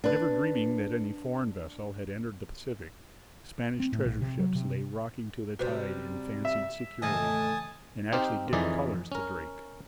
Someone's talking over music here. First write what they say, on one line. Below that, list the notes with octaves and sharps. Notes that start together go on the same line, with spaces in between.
Never dreaming that any foreign vessel had entered the Pacific, Spanish treasure-ships lay rocking to the tide in fancied security, and actually dipped colours to Drake.
D4 B4
C4
A2
A#1
C3
F#3
C3
C3 G3 F#4 B4 C5
E5
D#2 A2 C#3 E3 D#5 G#5 A5 D#6
C4 D#4 G4 C5 F5
F2 E3 D#4 G#4 D5
C#4 A#4